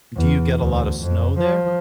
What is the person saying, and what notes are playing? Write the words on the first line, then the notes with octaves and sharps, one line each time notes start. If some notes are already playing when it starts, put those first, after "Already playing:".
do you get a lotta snow there?
E2
D2
F2
F3